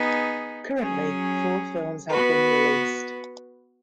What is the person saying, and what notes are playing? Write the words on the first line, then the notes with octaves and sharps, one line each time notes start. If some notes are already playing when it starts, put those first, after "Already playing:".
Currently four films have been released.
Already playing: B3 D#4 G#4
F#3 C#4 G#4
B3 F#4 B4